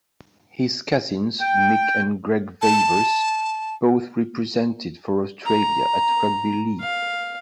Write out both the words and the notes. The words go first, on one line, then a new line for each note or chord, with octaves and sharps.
His cousins, Mick and Greg Veivers, both represented for Australia at rugby league.
G5
A5
A#5
F5